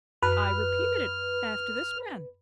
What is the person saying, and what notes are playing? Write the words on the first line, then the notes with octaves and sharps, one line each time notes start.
'I repeated it, after this man.'
F#2 B4 F6